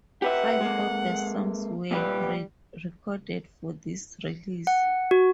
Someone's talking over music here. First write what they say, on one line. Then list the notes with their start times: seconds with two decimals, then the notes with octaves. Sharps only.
Five of the songs were re-recorded for this release.
0.22 G4 B4 E5 F#5
0.61 G#3 A#3
1.91 A#2 G3 G4 B4
4.67 F#5
5.11 F#4